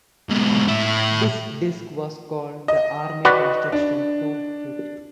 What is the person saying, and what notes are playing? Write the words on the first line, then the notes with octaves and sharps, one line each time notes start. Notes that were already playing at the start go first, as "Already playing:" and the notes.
This disk was called the "Army Construction Toolkit".
G#2 B2
A2 E4
D#5
F#4 B4 D5
D4